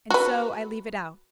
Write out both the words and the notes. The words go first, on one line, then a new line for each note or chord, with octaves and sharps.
And so I leave it out.
F#4 B4